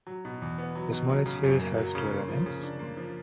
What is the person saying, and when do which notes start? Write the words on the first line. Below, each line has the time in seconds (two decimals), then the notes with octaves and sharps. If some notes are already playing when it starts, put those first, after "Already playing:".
The smallest field has two elements.
0.07 F#3
0.25 B2
0.42 E2
0.58 B3
0.75 F#3
0.92 B2
1.09 F#3
1.26 C#3
1.43 F#2
1.61 A#3
1.78 F#3
1.95 C#3
2.11 A#3
2.28 F3
2.46 C#3
2.63 D4
2.79 A#3
2.97 F3